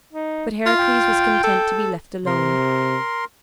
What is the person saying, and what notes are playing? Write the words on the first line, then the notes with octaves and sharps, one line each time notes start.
But Heracles was content to be left alone.
D#4
E4 F4
G5
A4
C3 A#4 C6